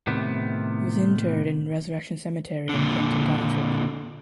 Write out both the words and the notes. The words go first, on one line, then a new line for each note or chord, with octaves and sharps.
He was interred in Resurrection Cemetery in Clinton Township.
A2 C3 D#3 B3
A#2 D3